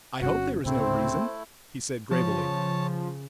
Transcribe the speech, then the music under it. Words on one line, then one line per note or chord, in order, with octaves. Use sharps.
"I hope there is no reason," he said gravely.
G1 C#4 F#4
D2 A2 C#3 A3 C4 E4 C5
C#3 F3 C#5 A5